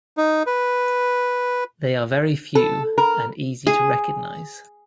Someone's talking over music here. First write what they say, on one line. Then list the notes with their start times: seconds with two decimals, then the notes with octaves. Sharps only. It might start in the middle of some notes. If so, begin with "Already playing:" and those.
They are very few, and easy to recognize.
0.17 D#4
0.46 B4
2.55 A4
2.98 A#4
3.67 G#4